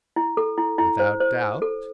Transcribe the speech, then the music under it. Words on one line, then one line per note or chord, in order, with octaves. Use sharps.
"Without doubt."
E4
A4
E4
E4
C5
C5
C5
A4